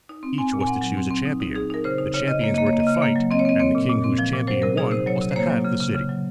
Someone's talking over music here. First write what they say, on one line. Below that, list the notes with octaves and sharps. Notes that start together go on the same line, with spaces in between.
Each was to choose a champion. The champions were to fight, and the king whose champion won was to have the city.
D#4
C4
C4 G#5
A#2
G#5
C4 F#5
F#3
C4
C4
D#4
D#4
D#4 G#4
D#4 A#4
C#3 C5
D#4
C#3 C#5
C#3 D#5
A#3 C#5
A#3 D#5
C#5
A#3
D#5
C#3
C#5
A#3
F#3
C4 D#5
C#5
C4 D#5
C4 C#5
A#2
A#2
C4
F3
A#2
F#3 C5
C3 A#4
D#4 G#4
C3 C5
F#3 C#5
C3
C5
A#3 C#5
F#3
C#3
C#3
C#3
F#3